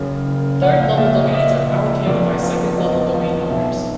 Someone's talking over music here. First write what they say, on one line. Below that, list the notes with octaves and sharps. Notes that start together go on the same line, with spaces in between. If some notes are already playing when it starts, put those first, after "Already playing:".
Third level domains are allocated by second level domain owners.
Already playing: F#1 F#2 C#3
F#1
A#1 F#5
F5
A#2 E5
D#5
D#5
A#2 E5
A#1
F1 D5
F3
E2 D#5
F3
B1 E5